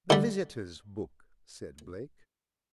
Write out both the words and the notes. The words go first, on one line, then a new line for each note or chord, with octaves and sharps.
"The visitors' book," said Blake.
D3 G3